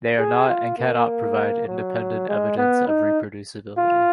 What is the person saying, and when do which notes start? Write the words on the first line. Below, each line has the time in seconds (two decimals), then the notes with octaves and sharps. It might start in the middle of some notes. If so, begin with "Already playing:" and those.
They are not and cannot provide independent evidence of reproducibility.
0.20 G#4
0.49 F4
0.78 A#3
1.68 F#3
2.29 G#3
2.58 B3
2.88 D#4
3.78 F4